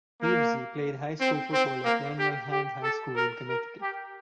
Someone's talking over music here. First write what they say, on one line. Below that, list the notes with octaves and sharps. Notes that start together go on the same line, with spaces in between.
Hevesy played high school football at Daniel Hand High School in Connecticut.
A#3
C4
C4
A#3
G4
G4
A4
A#4
A#4
G4